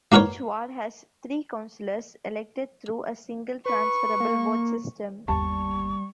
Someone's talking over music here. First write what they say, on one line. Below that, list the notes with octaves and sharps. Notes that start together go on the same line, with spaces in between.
Each Ward has three councillors elected through a single transferable vote system.
A#3 F#4 A#4 B4 C#5
B4 C#6
A#3
G1 D#2 G3 A5 C#6